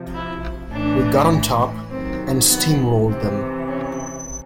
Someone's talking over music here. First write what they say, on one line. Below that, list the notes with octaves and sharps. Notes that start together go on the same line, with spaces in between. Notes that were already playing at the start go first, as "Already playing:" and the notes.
We got on top and steamrollered them.
Already playing: C3 F3
E4
A2 E3 D4
C3 D#3 F#3 C4
B3
C3 E3 C4
C#4